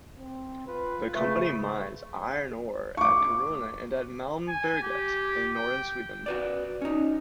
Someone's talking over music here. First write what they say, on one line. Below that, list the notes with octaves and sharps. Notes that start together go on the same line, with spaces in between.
The company mines iron ore at Kiruna and at Malmberget in northern Sweden.
C4
F4 B4
C#3 A3
C#6 D6
G#5
G4
G5
F#4 B4 D5
C#4 D#4